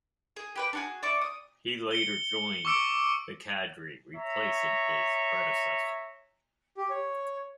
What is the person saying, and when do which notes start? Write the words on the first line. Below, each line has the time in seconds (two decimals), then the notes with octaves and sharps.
He later joined the Cadre, replacing his predecessor.
0.36 G#4
0.55 G4 B4 G5
0.73 D4 F#4 G#4
1.03 D5 E5 C#6 D6
1.21 D#6
1.91 C#7 G7
2.65 C#6 D6 E6 C#7 D7
4.16 C#5 E5 A#5
6.77 G4
6.90 C#5